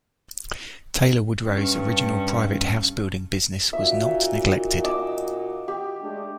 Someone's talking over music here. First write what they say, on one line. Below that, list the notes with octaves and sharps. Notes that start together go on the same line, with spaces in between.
Taylor Woodrow's original private housebuilding business was not neglected.
G2 C#4
A#2 D#4 F#4 E5
D#5 D6 E6
G4
G#3 A3 D4